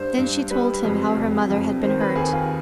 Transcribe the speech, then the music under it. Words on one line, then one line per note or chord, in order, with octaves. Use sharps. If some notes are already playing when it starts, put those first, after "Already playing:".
Then she told him how her mother had been hurt.
Already playing: G2 G3 C5
G2
G3 B4
F2
F2
F2
D#3 C5
B4
D#2 G#4
F4